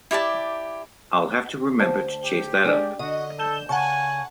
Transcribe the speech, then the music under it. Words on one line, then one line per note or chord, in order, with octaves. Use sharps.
I’ll have to remember to chase that up.
E4 G4 D5 A5
D2 C5 A5
G4
G#3 D4 D5
D3 F#4 D#5
A4 G6 E7 G7
C#3 F#5 G#5 A5 C#6